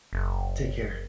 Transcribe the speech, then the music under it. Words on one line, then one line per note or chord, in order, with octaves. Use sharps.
Take care.
F#1